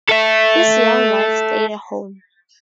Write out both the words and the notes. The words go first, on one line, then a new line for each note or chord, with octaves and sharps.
His young wife stayed at home.
A4 E5